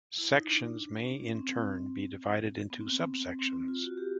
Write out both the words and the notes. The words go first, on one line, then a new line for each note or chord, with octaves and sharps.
Sections may in turn be divided into subsections.
E4
D#4
D4
C#4
C#4
C4
B3
C4
C4
C4
F4
F#4
G4